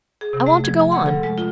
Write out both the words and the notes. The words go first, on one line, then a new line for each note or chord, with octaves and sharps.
"I want to go on."
G#4
C3
A3
F3
G#5
F#5
A4
G#3
F4